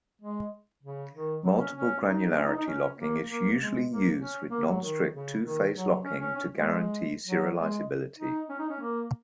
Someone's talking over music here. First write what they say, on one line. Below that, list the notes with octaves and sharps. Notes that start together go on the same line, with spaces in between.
Multiple granularity locking is usually used with non-strict two-phase locking to guarantee serializability.
G#3
C#3
D#3
F#3
C#4
C#4
D#4
C#4
D#4
D#4
C#4
A#3
A#3
G#3
A#3
C#4
A#3
F#3
D#3
C#3
D#3
F#3
C#4
C#4
C#4
G#3
F#3
G#3
D#4
C#4
D#4
C#4
A#3